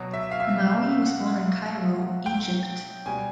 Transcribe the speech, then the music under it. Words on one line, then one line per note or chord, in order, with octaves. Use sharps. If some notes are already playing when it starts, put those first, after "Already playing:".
Hamaui was born in Cairo, Egypt.
Already playing: B2 F#3
E5
F5
E5
F5
F#5
G5
B2 G3 G#5